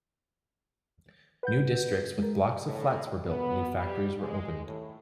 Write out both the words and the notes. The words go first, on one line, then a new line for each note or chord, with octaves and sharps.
New districts with blocks of flats were built, new factories were opened.
B4 F#5 G6
G#3 A#4
A2
B3
G3
G#3
A2